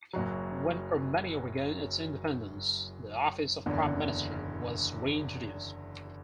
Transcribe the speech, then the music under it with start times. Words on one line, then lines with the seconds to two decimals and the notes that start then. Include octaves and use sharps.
When Armenia regained its independence, the office of Prime Minister was reintroduced.
0.13 F#1 F#2 F#3
3.66 F#1 E2 D3